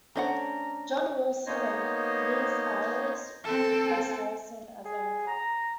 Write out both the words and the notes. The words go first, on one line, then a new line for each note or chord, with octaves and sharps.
John Wilson and Liz Ayers replaced Harrison as anchor.
A3 C#4 D4 C5 D#5 F#5 A#5
A#3 B3 D#4 C5 C#5 D#5
C4 A4
G#4
A#5